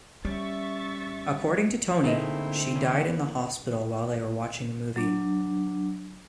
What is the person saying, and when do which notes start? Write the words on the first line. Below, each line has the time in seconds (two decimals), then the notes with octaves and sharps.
According to Tony, she died in the hospital while they were watching a movie.
0.25 G3 C#4 E5 C#6 A6
2.04 D3 A3 A#3 C4 D#4 E4 G#4 D#5
2.76 E3 A#3 C#4
4.96 F#3 D4